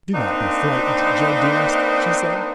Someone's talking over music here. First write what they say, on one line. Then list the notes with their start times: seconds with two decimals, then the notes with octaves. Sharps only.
"Do not be frightened, Joe dearest," she said.
0.14 A#3 C4 D4 D#4 B4 C5